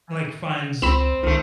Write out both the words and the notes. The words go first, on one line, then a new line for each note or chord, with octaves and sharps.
like finds
C#2 C4 B5 E7
C#2 D#3 A3